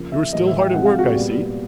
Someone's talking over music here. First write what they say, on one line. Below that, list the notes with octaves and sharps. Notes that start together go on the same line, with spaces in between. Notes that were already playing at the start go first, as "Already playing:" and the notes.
"You are still hard at work, I see?"
Already playing: C#3 F3 A#3
E5
A2 E3 G3 A#3 D#5
E5
G5
C3 F3 G#3 C4 F#5
F5
F#4 F#5
A#2 G3 B3